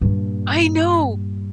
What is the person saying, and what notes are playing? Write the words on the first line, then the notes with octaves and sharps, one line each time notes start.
I know.
G2 A#2